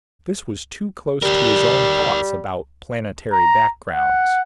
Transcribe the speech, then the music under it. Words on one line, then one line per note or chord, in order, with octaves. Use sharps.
This was too close to his own thoughts about planetary backgrounds.
G3 G4 A#4
A#5
F#5